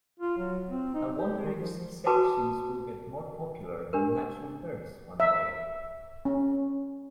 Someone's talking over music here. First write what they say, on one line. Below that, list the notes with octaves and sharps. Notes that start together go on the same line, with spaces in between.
I wonder if C-sections will get more popular than natural births one day.
F4
F#3
C4
D#4
G4
D#3
F3
F#4 B4 A5 D6 D#6
D4 G4 A#4
E5
C#4